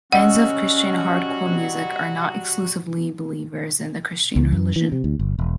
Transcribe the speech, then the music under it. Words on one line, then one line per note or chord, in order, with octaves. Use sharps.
Fans of Christian hardcore music are not exclusively believers in the Christian religion.
F#3 G3 C#4 F#4 D#5 F#5 E6
C#2
F#2
E3
C3
D2
G1
E1